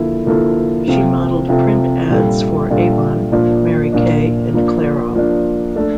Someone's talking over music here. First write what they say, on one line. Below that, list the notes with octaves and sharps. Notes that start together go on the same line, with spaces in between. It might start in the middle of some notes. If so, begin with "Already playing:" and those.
She modeled print ads for Avon, Mary Kay, and Clairol.
Already playing: D3 F3 A#3 E4 A4
D3 F3 A#3 E4 A4
C3 F3 C4 F4 A4
C3 F3 C4 F4 A4
A#2 G3 D4 F4 A4
A#2 G3 D4 F4 A4
A#2 F3 A#3 D4
A#2 F3 A#3 D4
F3 A#3 D4
F3 A#3 D4
A3 D4 A4